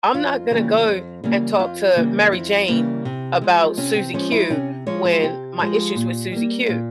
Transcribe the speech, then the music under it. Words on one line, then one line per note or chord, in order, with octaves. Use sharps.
I'm not gonna go and talk to Mary Jane about Susie Q, when my issues with Susie Q
F2 F4
C#3 E3 G3 A#3
F2
C#3 E3 G3 A#3
F2 F4
C#3 E3 G3 A#3
F2 E4
C#3 E3 G3 A#3
C3
F3 G#3
C3 C#4
C4
F3 G#3 C#4
E4
C3 C#4
F3 G#3 C#5
C5
C3 G4
F3 G#3
A#2
G3 A#3
A#2 F4